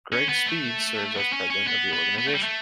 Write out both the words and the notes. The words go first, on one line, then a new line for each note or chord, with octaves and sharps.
Greg Speed serves as president of the organization.
C#4
B3
A3
B3
C#4
C#4
B3
B3
B3
A3
G3
A3